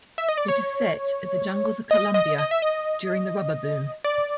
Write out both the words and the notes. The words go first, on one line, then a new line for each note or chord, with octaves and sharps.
It is set in the jungles of Colombia during the Rubber boom.
E5
D#5
D5
C#5
D#5
D#5
D#5
E5
D#5
D5